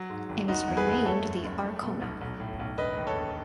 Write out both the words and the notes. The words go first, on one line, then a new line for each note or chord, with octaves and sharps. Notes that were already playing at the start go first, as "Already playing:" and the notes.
It was renamed the "Arkona".
Already playing: F#3
G#2
G#1
F#1 D#4 F#4
E2
G#4 B4
F#1
A3 A4 C#5
F#2
F#1
A3
B2
B1
B1
A2
B1
E1 B4 D#5
D#2
A4 C#5
E1